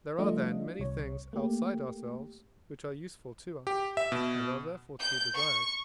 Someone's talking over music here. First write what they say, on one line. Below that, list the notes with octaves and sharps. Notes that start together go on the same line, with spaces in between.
There are, then, many things outside ourselves, which are useful to us, and are, therefore, to be desired.
F3 G3 A3 D4 F4 D#5
C2 C#5
A3 A#3 G4
G4
E5
B2
G6
C#6